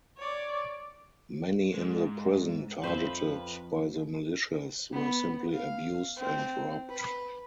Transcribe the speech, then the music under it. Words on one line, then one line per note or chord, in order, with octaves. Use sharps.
Many in the prison targeted by the militias were simply abused and robbed.
C#5 D5
G#2 G#3
F2 B4 C5 E5
B3
F5
C4
B4